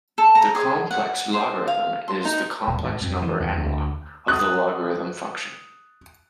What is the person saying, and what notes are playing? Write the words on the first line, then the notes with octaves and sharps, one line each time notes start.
The complex logarithm is the complex number analogue of the logarithm function.
A4
A#5
G#4
F#5
C5
F5
C6
D#4
D#1
G#2
F2
E3
E2
D2
D#6 F#6